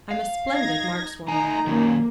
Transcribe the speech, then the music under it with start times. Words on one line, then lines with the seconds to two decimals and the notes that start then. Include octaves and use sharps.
"I'm a splendid markswoman."
0.11 F5
0.51 D#4 G#6 A#6
1.28 A3 D#4 G#5 A#5
1.67 D#3 F#3 A#3 C#4